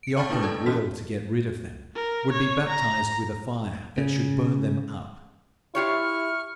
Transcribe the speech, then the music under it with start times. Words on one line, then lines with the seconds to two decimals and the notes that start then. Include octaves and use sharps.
The operant will to get rid of them would be baptized with a fire that should burn them up.
0.03 C#7 D7
0.17 D5 G5 A5 C#6 F6 A6
0.30 B3 D4 E4 B4
0.43 F4 A4 A5
0.66 E3 C#4 F#4 B6
1.95 A#4
2.32 C#5
2.69 A#5
3.98 C#3
5.75 E4 F4 G4 C#5 C#6 F6